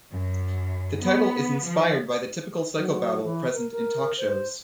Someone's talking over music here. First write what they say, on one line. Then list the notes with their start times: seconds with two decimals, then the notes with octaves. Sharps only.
The title is inspired by the "typical psychobabble" present in talk shows.
0.11 F#2
1.01 B3
1.65 F3
2.77 F#3
3.24 E3
3.53 A#4
3.71 A#4
4.17 C5